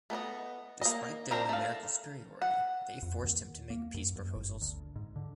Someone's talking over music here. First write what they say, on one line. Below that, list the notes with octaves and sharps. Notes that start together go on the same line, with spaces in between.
Despite their numerical superiority they forced him to make peace proposals.
A3 B3 C#5 D#5
A#3 D#5
C4 D4 A#4 C5 A#5
A3 F5
F#5
F2
D#2
A#3
F#2
F#2
G1
D2
G#2
D3